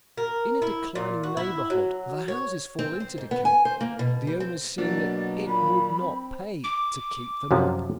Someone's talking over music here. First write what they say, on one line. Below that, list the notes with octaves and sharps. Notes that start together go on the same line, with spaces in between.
In a declining neighborhood the houses fall into decay, the owners seeing that "it would not pay" to keep them up.
A#4
E4
A#2
F#4
E4
F#3
C#5
C4
C5
G#2
B3
G#5
C5
A#3
B2
G3
C4
B2 F#3 A#3 D4 D5
A#2 B5
C4
D6
F#2 C3 F3